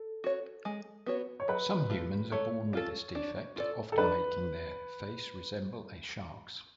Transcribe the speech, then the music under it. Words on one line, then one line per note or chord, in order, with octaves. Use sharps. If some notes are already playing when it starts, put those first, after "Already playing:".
Some humans are born with this defect, often making their face resemble a shark's.
Already playing: A4
F#4 C#5
G#3
B3 F#4 C#5
C#5
F#3 B4
A3 F4
A3 C#5
D4 F4 A4
D4
F4 A4 D5
A4
D4 B4